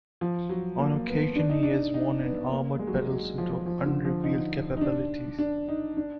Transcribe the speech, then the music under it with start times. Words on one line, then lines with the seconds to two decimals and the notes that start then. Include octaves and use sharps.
On occasion, he has worn an armored battlesuit of unrevealed capabilities.
0.21 F3
0.49 F#3
0.78 A#3
1.07 B3
1.36 D4
1.50 D#4
1.63 D4
1.94 D#4
2.23 B3
2.52 A#3
2.79 G#3
2.87 F#3
2.96 G#3
3.09 F#3
3.38 F3
3.66 F3
3.86 D3
4.05 F3
4.24 D#4
4.77 D#4
4.81 D4
5.39 D4
5.68 D#4
5.97 D4